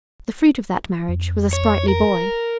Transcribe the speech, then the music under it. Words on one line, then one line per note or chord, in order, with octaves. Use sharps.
The fruit of that marriage was a sprightly boy.
F2
C#5
A#4